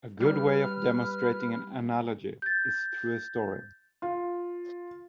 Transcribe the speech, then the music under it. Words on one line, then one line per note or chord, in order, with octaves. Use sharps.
A good way of demonstrating an analogy is through a story.
G3 B4 F6
G6 A6
F4